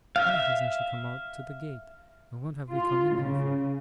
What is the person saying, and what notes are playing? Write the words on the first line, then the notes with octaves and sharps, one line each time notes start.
Why hasn't she come out to the gate, and what have we come in here for?
E5 F5
F4
C#3